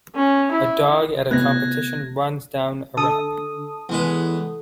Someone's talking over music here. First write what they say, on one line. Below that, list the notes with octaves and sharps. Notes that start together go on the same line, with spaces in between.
A dog at a competition runs down a ramp.
C#4
E4
C3 A3 B3 F#6 G#6 A#6
D3 A4 D#6
E2 E3 G#3 B4